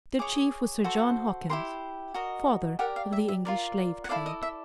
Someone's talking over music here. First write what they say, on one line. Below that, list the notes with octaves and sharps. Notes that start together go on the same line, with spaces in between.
Their chief was Sir John Hawkins, father of the English slave-trade.
G#4 C#5 D6
F#4 A4 C5
E4 G4 A#4 C6
F#4 A#4 D#5
G4 A#4 D5 F#5
F5
E5
E5
F4 A#4 D5
F#5
E4 A4 D5 F5
D#5
E5